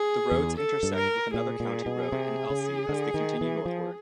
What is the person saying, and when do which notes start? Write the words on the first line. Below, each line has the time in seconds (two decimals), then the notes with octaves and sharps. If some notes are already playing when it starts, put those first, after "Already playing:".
The roads intersect with another county road in Elsey as they continue northward.
Already playing: G#4
0.31 E2
0.57 A4
0.83 G2
0.96 A#4
1.34 A#2 G#4
1.60 A#2
1.86 B2
2.12 C3
2.50 C#3
2.89 D3
3.14 D#3
3.41 E3
3.66 F3